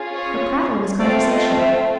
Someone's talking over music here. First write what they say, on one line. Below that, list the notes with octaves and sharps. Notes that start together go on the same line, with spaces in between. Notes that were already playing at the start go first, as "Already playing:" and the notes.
Her prattle was conversation.
Already playing: C#4 F4 G#4
C#5
A3 C4 F4 D5
D#5
E5